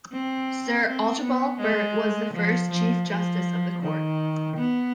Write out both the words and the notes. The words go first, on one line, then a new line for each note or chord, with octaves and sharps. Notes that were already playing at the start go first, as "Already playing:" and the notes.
Sir Archibald Burt was the first Chief Justice of the court.
C4
C4
B3
G#3
F3
F3
F3
D#3
B3